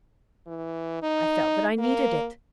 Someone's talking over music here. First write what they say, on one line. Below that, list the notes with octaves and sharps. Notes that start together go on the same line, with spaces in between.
I felt that I needed it.'
E3
D#4
A#3